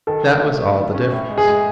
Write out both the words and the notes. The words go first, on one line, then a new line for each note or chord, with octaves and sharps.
That was all the difference.
D#3 A4
D#3
A3
A3
D#3
C#4
A2
G#3
G#4
G#3